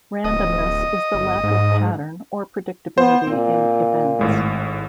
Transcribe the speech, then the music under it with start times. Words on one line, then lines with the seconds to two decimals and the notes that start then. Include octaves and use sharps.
Randomness is the lack of pattern or predictability in events.
0.24 D1 D#5
1.14 G1
1.43 G#2
2.98 B3 C5
3.27 A#2 C4
4.19 G#1 A2 G#3